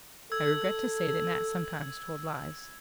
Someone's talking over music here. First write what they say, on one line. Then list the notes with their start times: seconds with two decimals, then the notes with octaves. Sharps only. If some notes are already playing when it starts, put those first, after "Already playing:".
I regret to say that Nat sometimes told lies.
0.32 A4 E6 G#6